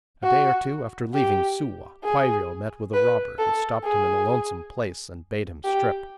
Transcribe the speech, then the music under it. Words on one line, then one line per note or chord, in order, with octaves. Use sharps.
A day or two after leaving Suwa, Kwairyo met with a robber, who stopped him in a lonesome place, and bade him strip.
F#4
G4
G#4
B4
A4
G#4
G4